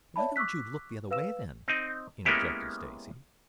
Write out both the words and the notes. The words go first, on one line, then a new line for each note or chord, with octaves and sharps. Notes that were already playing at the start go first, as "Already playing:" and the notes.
"Why don't you look the other way then?" interjected Stacy.
C#5 D5 E5 A5 B5
C#6 D6 E6 F#6 B6
B4 F5 E6 E7
C4 D#4
G#3 A#3 B3 C#4 E4 G4